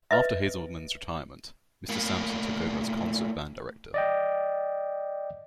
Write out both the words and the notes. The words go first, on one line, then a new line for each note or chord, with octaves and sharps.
After Hazelman's retirement, Mr. Sampson took over as concert band director.
B4 D#5 E5
A2 A#3
D5 D#5 G5